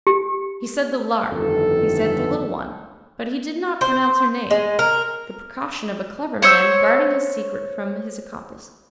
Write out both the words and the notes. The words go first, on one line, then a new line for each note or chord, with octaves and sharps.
He said "the Lark," he said "the little one," but he did not pronounce her name--the precaution of a clever man guarding his secret from his accomplices.
G4
G1 F2 D#3 E3 A4
C5
G#3
A#4
C5 C#5 E6